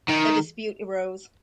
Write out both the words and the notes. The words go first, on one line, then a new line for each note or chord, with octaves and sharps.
A dispute arose.
D#3